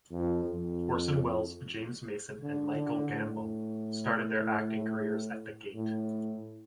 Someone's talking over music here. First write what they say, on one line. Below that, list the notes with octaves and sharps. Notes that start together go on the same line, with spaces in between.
Orson Welles, James Mason and Michael Gambon started their acting careers at The Gate.
F2
F2
D3
D3
A2
A2